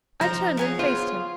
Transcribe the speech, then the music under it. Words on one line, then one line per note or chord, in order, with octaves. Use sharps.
I turned and faced him.
F3 D#4 C5 A#5
B3 G#4 C#5
F4 C5